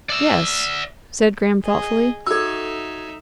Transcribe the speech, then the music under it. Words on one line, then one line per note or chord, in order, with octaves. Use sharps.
"Yes," said Graham thoughtfully.
D5 E5
G#4 D#5
D#4 F#4 A4 C#5 E5 E6